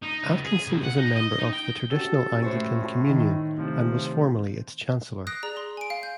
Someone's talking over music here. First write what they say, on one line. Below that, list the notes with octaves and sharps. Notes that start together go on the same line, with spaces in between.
Atkinson is a member of the Traditional Anglican Communion, and was formerly its chancellor.
D#4
C#2
G#4
C2
F#5
D#4
D#5
D#4
G5
C#4 F#4 G4 A4
A2 A3 C5 C#5
D#3 D#4
A2 C3 F3
D#6 F#6 A#6 C7 D7
G#4 D5 A#5
C6
G#5 D7
F5
G6